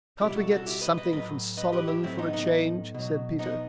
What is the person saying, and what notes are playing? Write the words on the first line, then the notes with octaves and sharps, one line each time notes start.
"Can't we get something from Solomon for a change?" said Peter.
B2 G3 E4 G4
F#4 A4
F#4 A4
E4 G4
B4 D#5
B4 D#5
A2 F#3 B4 D#5
B4 D#5
G4 B4
E4 G4
A2 F#3 C4 E4
B3 D#4
B3 D#4
B2 F#3
B3 D#4